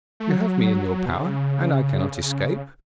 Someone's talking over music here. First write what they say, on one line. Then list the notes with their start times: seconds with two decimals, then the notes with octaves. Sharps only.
'You have me in your power, and I cannot escape.
0.20 A3
0.30 F#3
1.06 B2
1.12 C#3